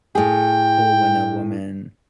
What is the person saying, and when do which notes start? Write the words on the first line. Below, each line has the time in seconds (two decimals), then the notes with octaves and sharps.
cool when a woman
0.15 A2 G#4 G5